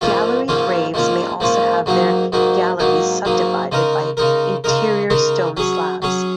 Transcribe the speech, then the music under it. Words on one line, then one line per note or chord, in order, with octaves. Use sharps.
Gallery graves may also have their galleries subdivided by interior stone slabs.
G#2 F3 A#3 C#4 F4
G#2 F3 A#3 C#4 F4
G#2 F3 A#3 C#4 F4
G#2 F3 A#3 C#4 F4
G#2 F#3 A#3 D#4
G#2 F#3 A#3 D#4
G#2 F#3 A#3 D#4
G#2 F#3 A#3 D#4
C#3 G#3 D#4 A#4
C#3 G#3 D#4 A#4
C#3 G#3 D#4 A#4
C#3 G#3 D#4 A#4
F#3 C#4 G#4 C#5
F#3 C#4 G#4 C#5